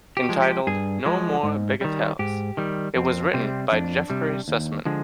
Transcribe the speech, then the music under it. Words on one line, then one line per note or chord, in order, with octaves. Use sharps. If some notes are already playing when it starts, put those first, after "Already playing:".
Entitled "No Mere Bagatelles", it was written by Jeffrey Sussman.
G4
F3 G#3
G4
G2 G#4
F3 G#3
G#2
D#3 G3
G#2 G4
D#3 G3
F2 C4
C3 G3 C4
F2 D4
C3 G3
D#2
D3 F3 G#3